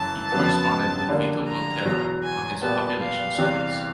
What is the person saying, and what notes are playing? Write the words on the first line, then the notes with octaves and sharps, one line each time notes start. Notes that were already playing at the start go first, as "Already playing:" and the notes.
He corresponded with Vito Volterra on his population studies.
Already playing: F#2 C#3 E3 A5
F2 C#3 F#3 B3
D3 G3 A#3 D4
A#5
E2 B2 F#3
G#5
A#2 G3 B3 A5
F5
E2 C3 E3 G3